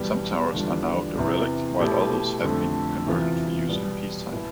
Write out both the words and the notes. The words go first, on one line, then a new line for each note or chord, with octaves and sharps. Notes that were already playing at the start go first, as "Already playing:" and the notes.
Some towers are now derelict while others have been converted for use in peacetime.
Already playing: E2 B2 G3
E2 D3 G3 D4 F4
E2 C3 E3
B2 A3 E4 G4
F2 D3 A3
E2 C3 E3 B3 F4
B2 G3 B3
B2 B3 E4